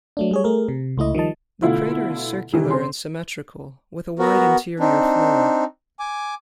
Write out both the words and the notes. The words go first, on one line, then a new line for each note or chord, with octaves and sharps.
The crater is circular and symmetrical, with a wide interior floor.
F#3 A3 D4
G3 G#4 C#5
A3 G#4 A#4
C3
C#2 A3 E4 D#5
D#3 F3 G3 D#5 A5
B2 D3 A3 E4 F4
C3 D#3 E3 G3
C4 C6
B3 F#4 A#4
C4 D4 D#4
G#5 D6